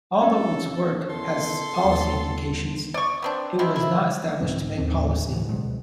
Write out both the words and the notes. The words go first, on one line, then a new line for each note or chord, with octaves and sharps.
Although its work has policy implications, it was not established to make policy.
F2 C#4 A4
E2 A4 C6
D1 D#2
G1
D5 C#6
B3 C4 D4
D#3 C4 E4
E4
C2 G#2 F#3 C4
A1 D#2 C4 D4
A2 D3 E3 F3
C#2 B2 F#3 G#3